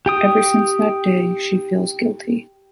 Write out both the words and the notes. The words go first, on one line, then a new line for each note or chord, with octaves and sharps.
Ever since that day she feels guilty.
G4 G5 D#6